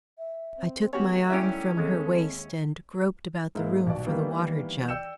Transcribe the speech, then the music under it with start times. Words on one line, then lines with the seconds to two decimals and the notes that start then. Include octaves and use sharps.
I took my arm from her waist and groped about the room for the water-jug.
0.18 E5
0.58 C4
0.93 D#3 A3 B3 C#4 F#4 G4 C#5
1.30 F#3 G3 C#4 E4 G4 E5
1.77 D#2 C#3 G#3 C4 A4
3.55 G#2 G#3 A#3 E4
3.85 D#1 B1 F#4 D5
4.06 D#3 E3 G3 A#3 B3
4.89 D5 G5 E6 G6 C#7 E7